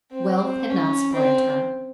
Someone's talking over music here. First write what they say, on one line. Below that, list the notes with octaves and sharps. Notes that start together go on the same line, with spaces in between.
Wealth had not spoiled her.
C4
C4
C#4
C4